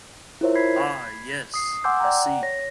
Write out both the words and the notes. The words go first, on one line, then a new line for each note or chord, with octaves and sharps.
'Ah, yes, I see!
E4 F4 A#4 C5 C#5 E5
B5 G#6 B6 C7
D#6 C7
F#5 G#5 C6 D6 E6 G6
D5 F#5 G5 A#5
C#5 A#6